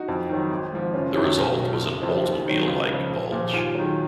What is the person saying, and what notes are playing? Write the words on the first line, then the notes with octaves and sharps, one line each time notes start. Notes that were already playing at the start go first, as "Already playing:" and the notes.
The result was an Oldsmobile-like "bulge".
Already playing: D#4 F#4
F2
D#3 F#3
G#1
G#2 F3
F#1 C#4 F4
F#2 D#3 F#3
B1
B2 F#3
F#1
F2 F3
D#2
D#3 F#3
C#2
C#3 F3
A#1
A#2 F3
D#2 F4 G#4
D#3 F#3